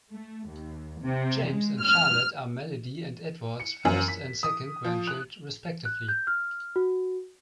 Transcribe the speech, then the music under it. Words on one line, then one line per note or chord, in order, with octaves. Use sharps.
James and Charlotte are Melody and Edward's first and second grandchild, respectively.
A3
D#2
C3
G#3
F6
C#7
F#2
B6
D#6
F3
F#6
F#6
G6
F6
F#4